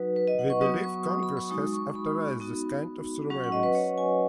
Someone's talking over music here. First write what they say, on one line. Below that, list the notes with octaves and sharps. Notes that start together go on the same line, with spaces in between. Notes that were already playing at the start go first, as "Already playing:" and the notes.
We believe Congress has authorized this kind of surveillance.
Already playing: F#3 D#4 F#4 B4
B4
D#5
F#5
C#6
F#3 B3 F#4 D#6
C#6
D#6
B5
C#6
G#3 D#4 F#4 D#6
C#6
B5
B3 D#4 F#4
F#3 C#4 F#4 C#6
F#5
D#5
B4
C#5
G#5